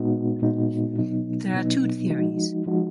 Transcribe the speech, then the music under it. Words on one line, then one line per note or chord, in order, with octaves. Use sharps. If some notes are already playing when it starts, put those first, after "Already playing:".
There are two theories.
Already playing: A#2 G#3 B3 D#4 F#4
A#2 G#3 B3 D#4 F#4
B2 F#3 B3 D#4
B2 F#3 B3 D#4
F3 G#3 D#4 F#4
F3 G#3 D#4 F#4